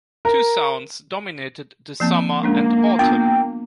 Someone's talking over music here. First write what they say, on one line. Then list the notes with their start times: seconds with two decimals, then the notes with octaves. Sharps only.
Two sounds dominated the Summer and Autumn.
0.25 A#4
2.00 F3 A#3 C4
2.43 G#3 A#3 C#4 D4
2.99 B3 D4 F4 G5